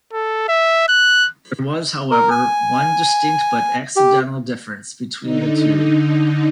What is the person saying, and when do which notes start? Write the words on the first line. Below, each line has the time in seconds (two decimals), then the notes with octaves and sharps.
There was however, one distinct-but accidental-difference between the two.
0.13 A4
0.49 E5
0.88 F#6
2.11 A#4
2.31 G#5
3.96 G4
5.21 D3 D#4